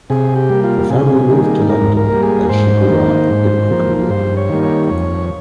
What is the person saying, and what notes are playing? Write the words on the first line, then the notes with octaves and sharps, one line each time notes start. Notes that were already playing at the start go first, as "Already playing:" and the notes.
The family moved to London and she grew up in Cricklewood.
C3 G#4
G4
G3 A#3
F4
C3 G#4
D#3 G3 A#3
G#2 A#4
A#4
G3 A#3
G#4
G#2 C5
D#3 A#3
G#2
F3 A#3
G2 C5
C#5
D#3 G3 A#3
C#5
F2 C#5